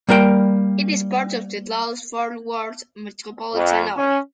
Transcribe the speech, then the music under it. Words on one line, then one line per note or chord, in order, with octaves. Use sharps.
It is part of the Dallas-Fort Worth metropolitan area.
G3 A#3 A#4 G5
F2
C#4